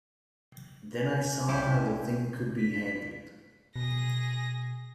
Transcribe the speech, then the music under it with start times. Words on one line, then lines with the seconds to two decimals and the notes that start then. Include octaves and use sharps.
Then I saw how the thing could be handled.
0.96 G#5
1.48 C2 A#2 G3 C#4 E4 G4
2.57 B6
3.76 B2 G#4 A#6